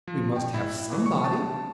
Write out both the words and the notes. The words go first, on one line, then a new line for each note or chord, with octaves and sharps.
"We must have somebody!"
F3
G5
E4
E3
C#6
A5